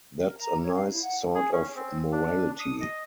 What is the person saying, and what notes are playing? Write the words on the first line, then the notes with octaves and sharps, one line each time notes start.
That's a nice sort of morality.
A#4
A#5
C#5
F5
E4
F#5
G#4
C#4
C4
D4
D#6
D#5